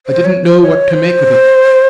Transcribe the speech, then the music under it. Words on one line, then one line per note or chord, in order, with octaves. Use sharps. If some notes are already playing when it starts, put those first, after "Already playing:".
I didn't know what to make of it.
C5
C#5
C5
C#5
C5